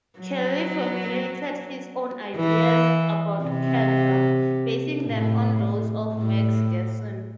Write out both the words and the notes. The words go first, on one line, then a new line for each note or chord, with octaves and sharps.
Kelley formulated his own ideas about cancer, basing them on those of Max Gerson.
F#3
E3
C3
A2
A2